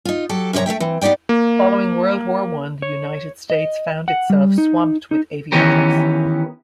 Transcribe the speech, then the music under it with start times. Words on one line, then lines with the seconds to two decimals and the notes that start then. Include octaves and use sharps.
Following World War One, the United States found itself swamped with aviators.
0.05 D#4 F4
0.29 F#3 G4 A4
0.53 F#2 C3 F#4 C#5 A#5
0.66 A3 A#3 E5 G5
0.80 E3 C4
1.01 B3 D#4 G4 D5 G5
1.29 A#3
2.82 C#5
3.50 D#5
4.08 F#5
4.30 G3
4.58 D#4
5.11 D#4
5.52 D#3 E3 B3 C#4 G4 A#4